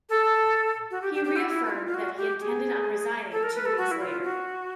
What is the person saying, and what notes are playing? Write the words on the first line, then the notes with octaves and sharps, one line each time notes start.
He reaffirmed that he intended on resigning two weeks later.
A4
F#4
G4
G4
G4
E4
E4
F#4
F4
F4
F#4
G4
G#4
A4
A#4
B4
A4
F#4
E4
F4
F#4